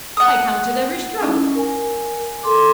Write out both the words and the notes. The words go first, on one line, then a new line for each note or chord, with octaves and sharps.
I counted every stroke.
F#5 D#6
C#4 D#4 E4
A#4 G#5
A4 C6 D6